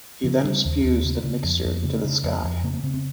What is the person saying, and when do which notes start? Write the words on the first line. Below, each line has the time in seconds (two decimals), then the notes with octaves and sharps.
He then spews the mixture into the sky.
0.24 C#3 F3
0.44 C#3 G3
0.65 D#2
0.84 D#2
1.04 C#3
1.24 C#3
1.44 F2
1.64 F2
1.84 C#3
2.04 C#3
2.23 F2
2.44 F2
2.63 C#3 A#3
2.74 A#3
2.83 C#3 C4
2.94 C4